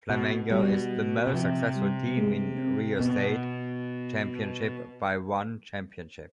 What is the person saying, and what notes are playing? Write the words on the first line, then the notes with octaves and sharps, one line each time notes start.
Flamengo is the most successful team in Rio State Championship by one championship.
B2
B2 G3
B2
C3 F3
G3
G#3
C4
B2 B3